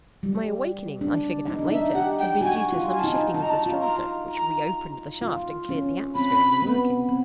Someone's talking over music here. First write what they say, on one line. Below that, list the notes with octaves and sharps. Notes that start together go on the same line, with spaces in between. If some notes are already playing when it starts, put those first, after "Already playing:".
My awakening, I figured out later, had been due to some shifting of the strata which reopened the shaft and cleared the atmosphere in the working.
G3
D4
D#4
D4
D#4 E5
G4 F#5
G5
F#4 G#5
F4
G#5
D#4 A5
G#5
D#4 A5
A#5
A5
F4
A#5
A#5
F4
C#4
C4 B5
B3
C4